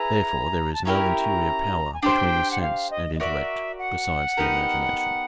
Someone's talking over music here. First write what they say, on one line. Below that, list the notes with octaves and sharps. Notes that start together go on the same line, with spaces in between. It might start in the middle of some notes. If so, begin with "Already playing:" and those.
Therefore there is no interior power between the sense and intellect, besides the imagination.
Already playing: E4 G#4 B4 A#5
A5
C#4 E4 G4 A#4 A#5
G#5
D4 G4 C5 G5
F#5
F5
D#5
D#5
F#4 A#4 D5 E5
F#5
B3 D#4 G4 A#4